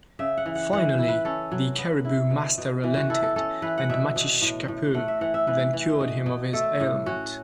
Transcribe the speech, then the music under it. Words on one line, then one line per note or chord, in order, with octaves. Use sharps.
Finally, the Caribou Master relented, and Matshishkapeu then cured him of his ailment.
C#3 E5
F#5
E3
F#5
E3 F#5
E4
B4
C#4 A4
F#3
B3
E4
B2
B2
E3
F#4
E4 A4
A4
C#4 A4
E3 B4
F#5
B2 E5
B2
A2
A2
A3 F#5
E5
E3 F#5
E5
E3 B4
E3
B2
B2
A3 A4
A2
C#4 F#4